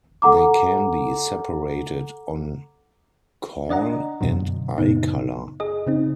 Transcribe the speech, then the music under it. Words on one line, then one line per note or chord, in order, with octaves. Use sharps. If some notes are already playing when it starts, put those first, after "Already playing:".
They can be separated on call and eye colour.
A4 F#5 A#5 D6
D4 D5 D#5 F#5 A#5
F#2 B2 D3 F#3
F#2 A#2 C#3 B3 D#4
G#4 D#5
C#3 C4 D#4